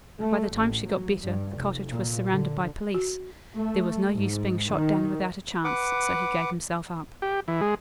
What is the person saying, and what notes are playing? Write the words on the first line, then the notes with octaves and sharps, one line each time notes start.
By the time she got better the cottage was surrounded by police; there was no use being shot down without a chance, so he gave himself up.
A3
A1
F#3
G2
F1
A#2
D3
F#4
A3
G#2
D#3
B4 F#5 D6
G4
E3
G#3